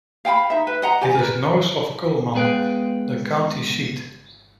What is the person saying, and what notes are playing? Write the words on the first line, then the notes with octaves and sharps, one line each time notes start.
It is north of Cullman, the county seat.
F5 G5 G#5 B5
D#4 E5
B4
D#5 F#5 A#5
G4 D5 G#5
A#4 B4
G#3 B3 G#4 B4 F5 G5